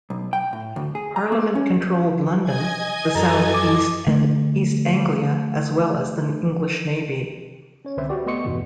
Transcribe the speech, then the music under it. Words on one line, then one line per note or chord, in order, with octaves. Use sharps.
Parliament controlled London, the south-east and East Anglia, as well as the English navy.
B1
G5
A2
D2
G#4
A#5
A#3
C#4
D#5 G#5 G#6
F#2 A4 A#5
D6
D3 A3
C#4 C#5
C2 D3 C4 B4 C5 E5
F#4 G4 D5
A3 B3 D#5 C6 C#6 C#7
E2 G2 B2 D#3 E3